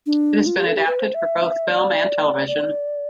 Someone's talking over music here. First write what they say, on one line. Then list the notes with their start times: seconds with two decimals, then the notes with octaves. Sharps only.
It has been adapted for both film and television.
0.06 D4
0.46 F4
0.57 G4
0.66 A4
0.77 G4
0.87 B4
1.00 C5
1.14 E5
1.68 D5
2.48 D5